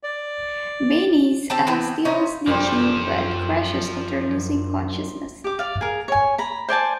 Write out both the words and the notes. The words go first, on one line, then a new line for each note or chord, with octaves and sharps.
Baines steals the jeep, but crashes after losing consciousness.
D5
C4 G4 A5
E3 B3 C4
C#4 D#4 F4 C5
F#2 A#2 F3 G3 C4 A4
G4 D6
D5 F5
G#4 A#4
C#5 G#5
A#5 B5
C5 D5 G#5 A5